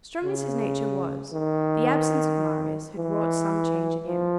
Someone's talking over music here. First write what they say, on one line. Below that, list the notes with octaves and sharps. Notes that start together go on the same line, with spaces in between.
Strong as his nature was, the absence of Marius had wrought some change in him.
C#3
D#3
E3
F3